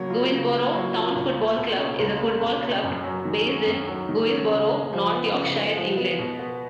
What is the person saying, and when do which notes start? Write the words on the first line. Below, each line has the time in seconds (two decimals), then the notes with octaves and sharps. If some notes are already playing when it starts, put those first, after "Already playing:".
Guisborough Town Football Club is a football club based in Guisborough, North Yorkshire, England.
Already playing: C#3 F#3 A#3
0.10 F4
0.32 C#3
0.52 A#3
0.74 F#3
0.94 F4
1.16 C#2
1.36 A#3
1.57 B2
1.79 C#4
1.99 C#2
2.20 A#3
2.42 B2
2.62 C#4
2.83 F#2
3.04 F#3
3.25 D#3
3.46 C#4
3.67 F#2
3.88 F#3
4.09 D#3
4.31 C#4
4.51 C#3
4.72 G#3
4.93 F3
5.14 B3
5.35 C#3
5.56 G#3
5.77 F3
5.97 B3
6.19 B2
6.39 B3